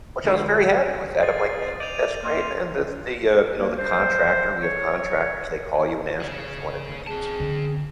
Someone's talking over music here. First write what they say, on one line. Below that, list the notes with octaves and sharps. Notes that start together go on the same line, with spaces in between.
which I was very happy with that, I'm like, "Man, tha that's great. Man, there's the, uh, you know, the contractor, we have contractors, they call you and ask you if you wanna do these
D3 G#3 D4 F4 F#4 B4
F4 G#4 A6
D5 D#5 G6 D#7 F7
A#3 C6
A#3
C5
C#5
C#3 G#4
C4 G#4 A5
D3